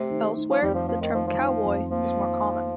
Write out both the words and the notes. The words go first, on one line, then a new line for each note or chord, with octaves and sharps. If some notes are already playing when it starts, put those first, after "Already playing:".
Elsewhere, the term "cowboy" is more common.
Already playing: C3 A3
D#3
D#4
F3
F2 G3
F3
F3 A3
D#3
D#3 F3
F3
D#4
F2
F3 A#3
D#3
D#4